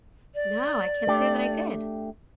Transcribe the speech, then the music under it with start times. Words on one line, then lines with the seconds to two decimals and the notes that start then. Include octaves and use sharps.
No, I can't say that I did.
0.34 D5
1.07 A3 D4 G4